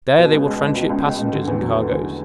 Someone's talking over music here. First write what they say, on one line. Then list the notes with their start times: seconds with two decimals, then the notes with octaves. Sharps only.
There they will tranship passengers and cargoes.
0.18 B2
0.33 C#2
0.47 G#3
0.61 C#2
0.76 B2
0.90 C#2
1.05 G#3
1.19 C#2
1.33 D3
1.47 E2
1.61 F#3
1.75 A3
1.90 D3